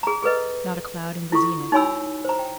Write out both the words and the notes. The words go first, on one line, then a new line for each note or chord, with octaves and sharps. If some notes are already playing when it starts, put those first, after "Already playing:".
Not a cloud in the zenith.
G#4 A#5
G#4 A4 B4 D#5
E4 F4 A4 C#6
D#4 F#4 C#5 G#5 B5 E6
C5 A#5
G5